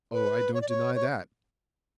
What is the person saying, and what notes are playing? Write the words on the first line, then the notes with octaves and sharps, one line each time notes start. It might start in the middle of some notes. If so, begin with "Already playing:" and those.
"Oh, I don't deny that."
B4
C#5
D5
C#5
C#5